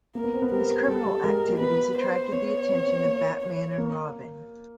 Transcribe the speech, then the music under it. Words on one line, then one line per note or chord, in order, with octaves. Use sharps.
His criminal activities attracted the attention of Batman and Robin.
A#3 A#4
B3
C4
B3
G3 A#4
G3 A4
G3
G#3 A#4
A#3
B3 B4
C5
B3 C#5
C4
B3
A#3
C#5
A#3